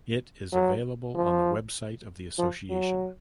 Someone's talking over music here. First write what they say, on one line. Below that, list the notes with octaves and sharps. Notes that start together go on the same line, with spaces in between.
It is available on the website of the association.
F#3
F3
F3
F#3